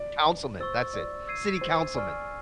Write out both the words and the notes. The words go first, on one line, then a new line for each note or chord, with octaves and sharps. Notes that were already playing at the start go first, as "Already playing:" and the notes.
councilman. That's it, city councilman.
Already playing: D5
C5 C#6 E6 A6
D5
E6 G#6 C7 D#7
C5
D5 G#5 C#6 F6